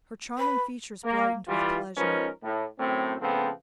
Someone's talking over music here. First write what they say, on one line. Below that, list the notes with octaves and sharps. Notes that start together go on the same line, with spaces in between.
Her charming features brightened with pleasure.
B4
A#3
E3 G3 F4
F3 G#3 C#4 D#4 A#4 B4
A2
F#2 A2 A3 C4
C#3 F3 A3 B3 C4